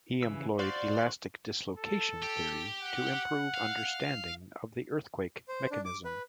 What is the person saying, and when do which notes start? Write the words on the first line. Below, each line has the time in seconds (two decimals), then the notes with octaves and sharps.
He employed elastic dislocation theory to improve understanding of the earthquake mechanism.
0.23 C#3 E3 E6
0.59 F#4 C5 D5 F5
1.78 A4
2.22 G4 G5
2.80 F#5
3.54 F5
5.48 C5
5.71 D4
5.85 D6
6.05 B4